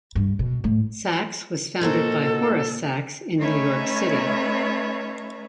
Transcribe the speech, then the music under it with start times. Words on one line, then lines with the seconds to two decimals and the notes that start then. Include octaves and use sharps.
Saks was founded by Horace Saks in New York City.
0.15 G2
0.39 B2
0.64 A2
1.81 A#2 D#4 F#4 A4 A#4 C5 G#6
3.40 A3 C#4 D#4 B4 C#5 E5